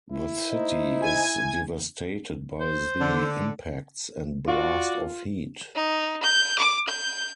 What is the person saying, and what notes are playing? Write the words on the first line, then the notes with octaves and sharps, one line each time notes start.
The city is devastated by the impacts and blast of heat.
E4
D#4 C5 D#5
G#5 G#6
C5
D3
F4 F#4 D5
D#4
G6
D6
G6